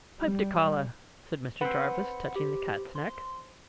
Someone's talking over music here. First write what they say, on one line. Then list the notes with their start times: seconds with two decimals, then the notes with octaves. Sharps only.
"Pipe de collar," said Mr. Jarvis, touching the cat's neck.
0.23 G3
1.61 C4 B4 F#5
2.36 G4
2.95 C6